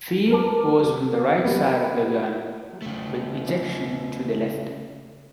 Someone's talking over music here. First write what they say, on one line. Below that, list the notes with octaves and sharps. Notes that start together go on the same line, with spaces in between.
Feed was from right side of the gun, with ejection to the left.
A#4 B4 A5 D6
C3
G3 A#3 B3
C#3 A3